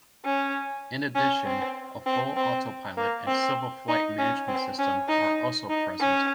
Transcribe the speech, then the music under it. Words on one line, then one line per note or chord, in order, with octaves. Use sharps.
In addition, a full autopilot and civil flight management system are also present.
C#4
C#4
C4
C4
C4
A#3
C4
D#4
C#4
C4
C#4
D#4
D#4
C#4